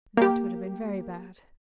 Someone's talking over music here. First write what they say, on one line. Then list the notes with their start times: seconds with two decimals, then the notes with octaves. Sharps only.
"That would have been very bad."
0.17 A#3 G4